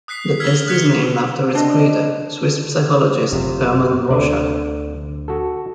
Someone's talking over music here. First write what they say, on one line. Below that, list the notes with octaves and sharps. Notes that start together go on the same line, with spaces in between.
The test is named after its creator, Swiss psychologist Hermann Rorschach.
D#6 F#6 B6 C7
E6 F6 G#6 B6
D#6 F6 F#6 G#6 B6 C#7
D4 D#5
G1 F#2 C3 F3
D2 D3 D5
F#4 A4